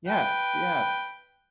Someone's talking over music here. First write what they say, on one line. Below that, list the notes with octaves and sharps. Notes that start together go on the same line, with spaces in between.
Yes, yes.
B4 G5